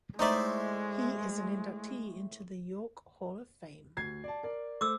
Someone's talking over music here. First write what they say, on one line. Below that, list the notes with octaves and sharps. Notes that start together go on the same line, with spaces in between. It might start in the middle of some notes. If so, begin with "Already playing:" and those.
He is an inductee into the York Hall Of Fame.
A2 G#3 D#4 C5 D5 E5
D2 G#6 C7
D5 A5
A#4 D5
A3 C5 D6 E6